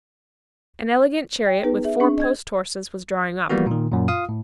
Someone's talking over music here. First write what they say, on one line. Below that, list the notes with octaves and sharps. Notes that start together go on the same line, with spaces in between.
An elegant chariot with four post-horses was drawing up.
G5
B3 D#4 G#4 B4
G#4 E5
C4 D4 G#4 C#6
D#5 G#6
E3 F3 G3 A#3 B3 F#4
A#2 D#3
F#2 A#2
F4 F5 D#6
A2